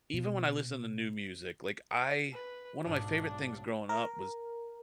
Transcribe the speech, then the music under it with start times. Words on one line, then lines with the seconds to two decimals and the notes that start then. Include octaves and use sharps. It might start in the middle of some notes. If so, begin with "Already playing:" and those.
even when I listen to new music, like I one of my favorite things growing up was
0.14 B2
2.33 B4
2.85 B1 G#2 D4
3.89 A#4